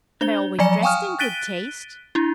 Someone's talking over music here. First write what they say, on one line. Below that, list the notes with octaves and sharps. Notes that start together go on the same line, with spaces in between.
"And I always dressed in good taste."
D4 C5 G7
F3 F#3 D5 G#5 C#7
F5 G5 G#5 C#6 D#6 F6
F#6 A6 B6 D7 D#7 G7
D4 E4